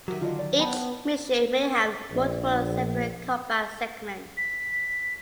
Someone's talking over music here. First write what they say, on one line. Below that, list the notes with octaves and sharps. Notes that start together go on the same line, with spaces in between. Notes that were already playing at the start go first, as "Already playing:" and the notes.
Each mission may have multiple separate combat segments.
D#3 F#3 F#4 G4 A#4 E5
D3 D4 F4 F#4 D#5
D5
B3 C5 G5 A5 B5
A#1
B6